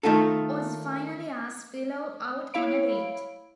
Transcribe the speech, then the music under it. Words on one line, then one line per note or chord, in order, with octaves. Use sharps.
Oz finally asks Willow out on a date.
D#3 A3 D#4 F4 A4
E4 C#5 F5 B5 D7